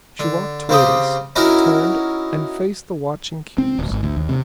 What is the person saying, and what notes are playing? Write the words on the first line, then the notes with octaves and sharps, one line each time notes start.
She walked toward us, turned and faced the watching cubes.
D3
C#3 C4 G4 D#6
C#4 D#4 E4 F#4 A#4
C4
D1
G#1
D2
D#2
C3